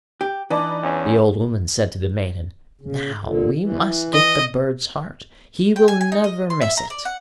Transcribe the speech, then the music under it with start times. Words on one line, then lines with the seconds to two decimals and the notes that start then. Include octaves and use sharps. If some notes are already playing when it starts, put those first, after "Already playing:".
The Old Woman said to the Maiden: 'Now we must get the bird's heart, he will never miss it.'
0.21 G4
0.50 E3 D4 D#4 B4 D5 A5 D6
0.83 E2 C#4
2.81 C#3
3.24 A#2 D3
3.60 E3
4.13 D#5
5.76 G5
5.88 G#5
6.01 G#5
6.12 D#4
6.24 D#5
6.50 C6
6.62 E5
6.77 A#5
6.90 D5
7.05 F#5